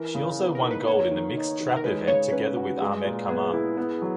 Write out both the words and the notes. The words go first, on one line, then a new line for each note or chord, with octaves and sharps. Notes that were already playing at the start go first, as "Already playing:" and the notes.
She also won gold in the mixed trap event together with Ahmed Kamar.
Already playing: E3 A#4
C#3
B3
A#4
D#4
B4
A#3 C#5
D#3
D#4
D#3
A#4
G#3 B4
C#3 C#5
C#4 B4
F#4
G#3
A#2
B3 G#4
E4
B3
F#3